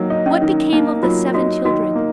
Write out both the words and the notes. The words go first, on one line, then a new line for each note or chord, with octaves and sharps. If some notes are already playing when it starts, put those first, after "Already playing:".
What became of the seven children?
Already playing: D#3 F#3 A#3
D#4
C#4
D#3
A#3 D#4
F#3 F4
D#4 F#4
D#3 F#4
A#3